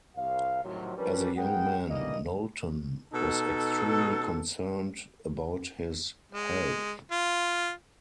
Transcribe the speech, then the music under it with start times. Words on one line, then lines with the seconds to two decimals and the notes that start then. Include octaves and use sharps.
As a young man, Knowlton was extremely concerned about his health.
0.16 C2 F5
0.64 A2 C3 D#3 F3 F#3
0.98 F3 G3 C#4 D4 A#4 B4
1.37 G#3 B3 G#4 A#4 F#5 G5
1.89 D3 E3 G3 A#3 D#5
3.13 B2 D#4 A4
6.32 G#3
7.12 F4